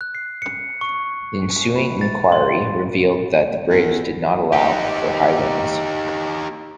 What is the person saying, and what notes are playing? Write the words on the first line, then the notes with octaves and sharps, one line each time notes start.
The ensuing enquiry revealed that the bridge did not allow for high winds.
F#6
C7
C#7
C#6
B5
A6
C6
E2
D#4 G4